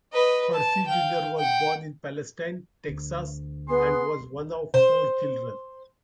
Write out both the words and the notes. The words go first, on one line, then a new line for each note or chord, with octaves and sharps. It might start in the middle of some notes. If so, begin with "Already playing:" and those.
Percy junior was born in Palestine, Texas and was one of four children.
B4 D#5
A5
F5 G5
F#5 G5
D2
B3 G#4 C6
C5